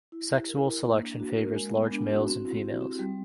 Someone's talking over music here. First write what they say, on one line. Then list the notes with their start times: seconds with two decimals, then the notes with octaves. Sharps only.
Sexual selection favors large males and females.
0.12 E4
0.31 G4
0.48 A#4
0.67 E4
0.84 A#3
1.02 D4
1.20 F#4
1.38 A#4
1.56 G#3
1.74 B3
1.92 D4
2.10 F#4
2.28 C4
2.45 E4
2.63 G4
2.81 C4
2.99 G3